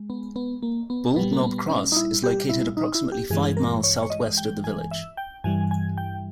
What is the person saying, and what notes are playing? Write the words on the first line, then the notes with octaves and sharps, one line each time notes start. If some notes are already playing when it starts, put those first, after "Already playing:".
Bald Knob Cross is located approximately five miles southwest of the village.
Already playing: G#3
B3
B3
A#3
B3
A#2 G3 B3
A#3
B3
C#4
D#4
E4
G4
E4
D#4
E4
G4
G2 E3 G#3 G#4
A#4
C#5
C#5
D#5
G5
G#5
E5
G5
G2 E3 G3 G#5
G#5
G5